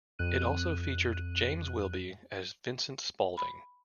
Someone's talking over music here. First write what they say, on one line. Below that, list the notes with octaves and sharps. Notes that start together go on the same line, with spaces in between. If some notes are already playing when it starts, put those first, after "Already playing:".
It also featured James Wilby as Vincent Spaulding.
F2 F#6 D#7
B5